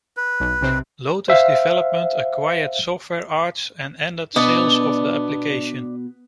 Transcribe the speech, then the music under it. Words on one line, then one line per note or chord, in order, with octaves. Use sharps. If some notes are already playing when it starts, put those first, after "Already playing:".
Lotus Development acquired Software Arts and ended sales of the application.
B4
B1
B1 C3 C4
C5 E5 F5
B2 B3 D4 D5 D#5